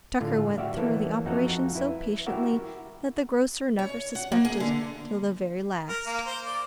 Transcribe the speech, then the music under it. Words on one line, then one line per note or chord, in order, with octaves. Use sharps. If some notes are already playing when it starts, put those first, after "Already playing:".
Tucker went through the operation so patiently, that the grocer never suspected till the very last.
A2 D3 F4
F#4 G4 D5 E5 F5
E3 A#3 A4 C#5
F2 D#4 F#4 A4 F#5 A#5
E4 B4
E4 F#4 G4 A#4 E5
C#5
F#5
A#3
G#4
D3
A#4
A#3
C5
D5